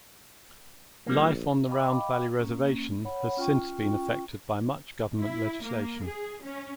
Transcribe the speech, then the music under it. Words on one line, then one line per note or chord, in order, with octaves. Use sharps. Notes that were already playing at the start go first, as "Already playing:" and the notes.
Life on the Round Valley Reservation has since been affected by much government legislation.
A#1 G3 A#3
D#5 F5 G5 B5 D6
A#3 C#4
C#5 F#5 B5
C#4 F4 G5 C#6
E4
A#3
G#4
C#4